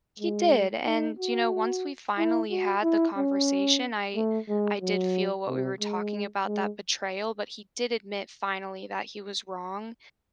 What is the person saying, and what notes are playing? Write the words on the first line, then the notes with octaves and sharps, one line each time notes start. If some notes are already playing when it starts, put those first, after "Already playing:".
He did, and, you know, once we finally had the conversation, I I did feel what we were talking about, that betrayal, but he did admit finally that he was wrong,
G#3
D#4
F#4
E4
F#4
E4
C#4
A3
G#3
F#3
C3
G#3
G#3